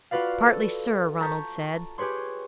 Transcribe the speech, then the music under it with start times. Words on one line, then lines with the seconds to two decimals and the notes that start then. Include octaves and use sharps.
"Partly, sir," Ronald said.
0.11 F4 F#4 B4 D5 F5
0.46 A4
1.20 A5 A#5 C#6 G6 B6
1.98 G4 G#4 B4 C#5 C6